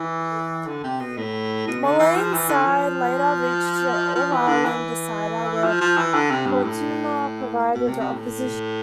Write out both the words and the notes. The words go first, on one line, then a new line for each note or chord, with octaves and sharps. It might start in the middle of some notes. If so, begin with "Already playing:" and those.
Mullane's side later reached the All-Ireland decider where Portumna provided the opposition.
Already playing: E3
D3
C3
B2
A2
B2
D3
E3
F3
E3
D3
F3
F3
E3
D3
E3
F3
F3
E3
D3
C3
G2
A2
B2
C3
C3
A2